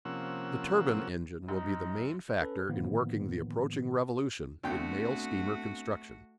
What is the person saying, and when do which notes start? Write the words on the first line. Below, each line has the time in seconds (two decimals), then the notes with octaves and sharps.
The turbine-engine will be the main factor in working the approaching revolution in mail steamer construction.
0.05 C3 F3 A#3 C#4 F#5 E6
1.49 F#2 D#4
2.42 C#4 A4 B4
2.69 A2 D3 D#3 F3 A#3 B3
4.63 D2 A3 B3 C4 D4 F#4 G5